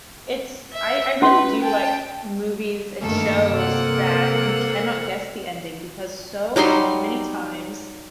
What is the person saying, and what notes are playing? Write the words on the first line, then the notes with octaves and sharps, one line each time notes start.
It's I I really do, like, movies and shows that you cannot guess the ending, because so many times
E5
C#4 B4 C6
G5 A5
G2 D#3 A3 A#3 A4
C3 A4 C5 F#5
F#3 G3 D#4 C6